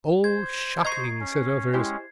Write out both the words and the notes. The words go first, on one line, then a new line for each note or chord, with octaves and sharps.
"Oh, shocking!" said others.
C5 G#6
D#5 A#5 C#6 G#6 C7
C#4
G#3 C#4 E4 G4 C5